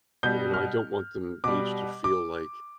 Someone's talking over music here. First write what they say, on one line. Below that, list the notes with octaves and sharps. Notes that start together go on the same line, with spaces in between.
you know, I don't want them each to feel like
B2 G3 G6
F6
B2 G3 D6
D6